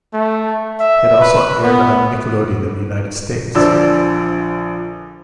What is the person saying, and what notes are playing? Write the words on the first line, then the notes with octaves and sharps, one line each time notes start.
It also aired on Nickelodeon in the United States.
A3
E5
B4
B3
A#1 D3 F3 D5 E6